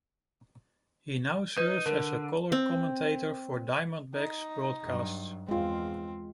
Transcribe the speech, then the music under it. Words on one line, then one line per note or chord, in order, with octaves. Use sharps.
He now serves as a color commentator for Diamondbacks broadcasts.
D#4 B4
D3 A#4
C4
D#4
G2 F#3
E2 G#3 C4 F4